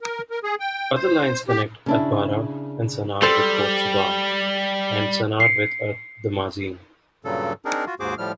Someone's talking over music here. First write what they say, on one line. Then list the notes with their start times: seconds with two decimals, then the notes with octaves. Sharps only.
Other lines connect Atbarah and Sannar with Port Sudan, and Sannar with Ad Damazin.
0.01 A#4
0.30 A#4
0.43 G#4
0.60 G5
0.95 C5
1.48 G4
1.86 C#3 D4 E4
3.22 G3 A4 C5 A5
5.40 C7 C#7
7.25 G2 A#2 C#3 F#3 A4
7.65 C4 D4 D#4 G#4 A#4
7.86 F4 F#4
8.00 D#2 G#2 F#4 G#4 C5 D6
8.18 A2 F3 G3 F6